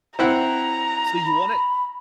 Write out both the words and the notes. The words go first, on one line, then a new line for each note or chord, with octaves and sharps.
So, you want it
C4 E4 F#5 A#5
B5